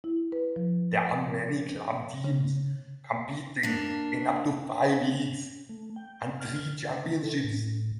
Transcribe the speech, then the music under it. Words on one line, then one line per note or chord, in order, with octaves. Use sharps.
There are many club teams competing in up to five leagues and three championships.
E4
B4
F3
A#4
C#3
A#3 D4
A3
G5
F6
D3
A4
A2